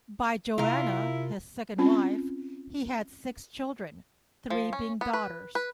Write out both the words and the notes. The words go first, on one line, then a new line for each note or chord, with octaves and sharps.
By Joanna, his second wife, he had six children, three being daughters.
C3 E4 F4 A#4
C4 C#4 F4
F3
C#4
B3
B4
B4